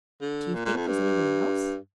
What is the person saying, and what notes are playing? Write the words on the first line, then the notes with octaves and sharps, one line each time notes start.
'Do you think there's any one else?'
D3
A#2
A#2
F2
G2